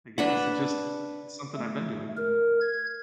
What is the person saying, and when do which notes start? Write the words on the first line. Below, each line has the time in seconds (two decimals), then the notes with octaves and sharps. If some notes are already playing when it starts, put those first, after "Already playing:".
I guess it's just, it's something I've been doing.
0.18 D4 B4 F#5
1.57 A3
2.17 A#4
2.61 G#6